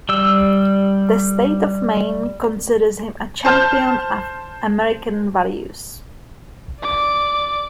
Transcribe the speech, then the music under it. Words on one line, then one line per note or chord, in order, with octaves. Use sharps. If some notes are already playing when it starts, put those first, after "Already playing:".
The state of Maine considers him a champion of American values.
G3 E6
C5 A5 F6 G6
D5 D6